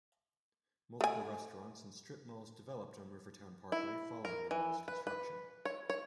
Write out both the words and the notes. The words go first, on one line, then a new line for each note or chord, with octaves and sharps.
Multiple restaurants and strip malls developed on Rivertown Parkway following the mall's construction.
A3 G#5
E4
A#4
E3
B4
B4
C#5
C#5